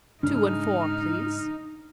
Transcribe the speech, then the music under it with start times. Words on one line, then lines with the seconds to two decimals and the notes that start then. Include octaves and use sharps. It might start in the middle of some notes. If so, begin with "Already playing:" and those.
"Two-and-four, please."
0.23 G#2 C#3 D4 D#4 F6